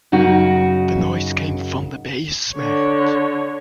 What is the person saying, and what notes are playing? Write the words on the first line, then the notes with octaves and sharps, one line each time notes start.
The noise came from the basement.
F#2 C#3 D#4 F#4
D3 C#5